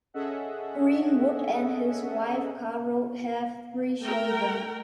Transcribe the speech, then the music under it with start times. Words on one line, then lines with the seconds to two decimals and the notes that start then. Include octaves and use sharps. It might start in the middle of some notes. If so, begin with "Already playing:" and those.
Greenwood and his wife Caro have three children.
0.14 C#4 G#4 A4 D#5 E5 F#5
4.02 A3 A#4 G5 A#5